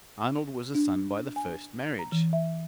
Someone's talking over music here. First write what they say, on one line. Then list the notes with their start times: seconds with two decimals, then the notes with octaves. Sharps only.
Arnold was a son by the first marriage.
0.75 D4
1.36 G#5
1.99 A#5
2.12 E3
2.33 E5